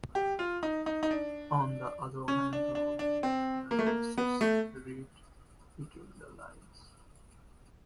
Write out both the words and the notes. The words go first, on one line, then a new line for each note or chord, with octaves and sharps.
On the other hand Romanian analysts read between the lines.
G4
F4
D#4
D#4
D#4
D4
C#4
D4
D4
D4
C4
A#3
A3
A#3
B3
A3